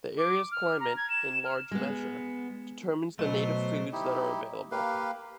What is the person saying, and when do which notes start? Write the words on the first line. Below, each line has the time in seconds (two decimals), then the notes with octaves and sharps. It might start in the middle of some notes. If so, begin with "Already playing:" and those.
The area's climate, in large measure, determines the native foods that are available.
0.18 D6
0.52 F6
0.80 A#5
0.97 G#6
1.10 E7
1.45 F6
1.71 G#3 B3
3.19 B2 F#3 A3 C5 D#5
3.93 D#4 E4 G4
4.72 A#3 G4 B4 F5